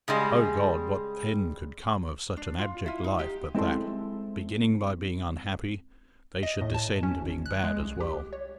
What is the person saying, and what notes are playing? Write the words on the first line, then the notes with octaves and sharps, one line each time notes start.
Oh, God, what end could come of such an abject life but that, beginning by being unhappy, they should descend to being bad as well?
C#3 G3 G#3
D4
F4
E4 F4
D#4
G4
G#3 C4 E4 A4 C6
D#5
A2
A5
C#4
G#1
F#6
G#3
C2
G4
C#5